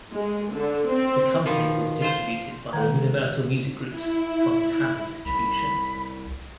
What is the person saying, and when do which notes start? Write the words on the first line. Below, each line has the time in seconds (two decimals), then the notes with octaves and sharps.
The company was distributed by Universal Music Group's Fontana Distribution.
0.13 G#3
0.52 D3
0.88 C4
1.46 B2 D#3 F3
2.02 F4 C5
2.73 D#3 G#3 A3 A4
3.21 G4
3.89 E4
5.25 C2 B5